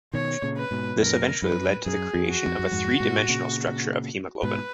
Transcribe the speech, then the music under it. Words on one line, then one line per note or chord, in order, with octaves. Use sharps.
This eventually led to the creation of a three-dimensional structure of haemoglobin.
B2 D#3 C#5
A#2 C#3
B4
G#2 B2
F#2 A#2 A#4
F#2 B4
F#2 G#4
F2
F#4
F2
F#2
F2 G#2
G#2 B2
A#2 C#3
G#2 B2 B4